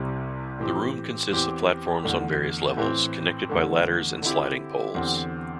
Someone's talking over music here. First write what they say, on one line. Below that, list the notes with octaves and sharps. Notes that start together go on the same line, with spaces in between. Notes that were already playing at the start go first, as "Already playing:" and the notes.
The rooms consist of platforms on various levels, connected by ladders and sliding poles.
Already playing: C2 C3 G3 E4
A2 E3 C4 G4
E2 E3 C4 G4
E2 D3 A3
A2 E3 C4
E2 D3 A3
D3 C4 E4 G4
E2 D3 C4 G4